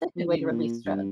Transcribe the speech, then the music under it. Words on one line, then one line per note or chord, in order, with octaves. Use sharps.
That's a good way to release stre
F3
D#3
C#3
A#2
G2